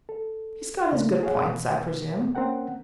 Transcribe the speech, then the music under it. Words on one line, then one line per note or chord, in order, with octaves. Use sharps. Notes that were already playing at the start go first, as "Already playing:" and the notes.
"He's got his good points, I presume."
A4
E2 C#3 A3 A#3 D4
G#4 C#5 F5 F#5
B2
A#3 C4 C#4 A#4 F#5 G5